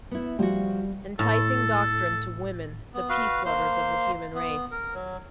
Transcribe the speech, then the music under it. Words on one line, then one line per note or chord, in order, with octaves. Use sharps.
Enticing doctrine to women-the peace lovers of the human race.
B3 E4
F3 G3 F#4
A2 A4
B3
F#4 B4 F5
A#3 C5 C6
B3
A#4
F#3